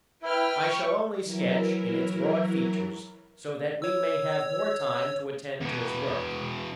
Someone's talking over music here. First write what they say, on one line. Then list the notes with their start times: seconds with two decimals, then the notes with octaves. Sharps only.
I shall only sketch in its broad features, so that we may have more time to attend to his work.
0.22 E4 B4 G5 F6
0.63 C#6
1.23 E3 F#3 E4 A#4
3.82 C#5 E6
5.61 E2 B2